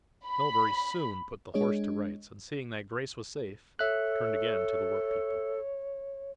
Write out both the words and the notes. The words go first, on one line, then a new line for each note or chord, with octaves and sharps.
Melbury soon put the horse to rights, and seeing that Grace was safe, turned again to the work-people.
B5
G#3 D4 G#4 C#5 D#5
A4 C#5 E5 F#6